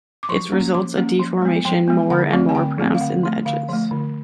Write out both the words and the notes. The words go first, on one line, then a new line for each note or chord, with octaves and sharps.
It results a deformation more and more pronounced in the edges.
D6
F3 C#6
A#3 C#4
F3 D6
A#3 C#4
F3
G#3 B3
F3 G5
G#3 B3
D3 F#5
F#3 A3 C4
G#5
D3 G5
F#3 A3 C4
F5
D3 F#5
F3 A3
D3 F5
F3 A3
D3